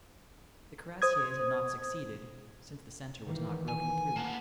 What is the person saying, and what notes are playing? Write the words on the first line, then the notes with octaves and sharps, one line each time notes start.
The cuirassiers had not succeeded, since the centre was not broken through.
C5 D#6 G#6
D#3 E3 A#3
G#5
A#3 B3 G#5 A5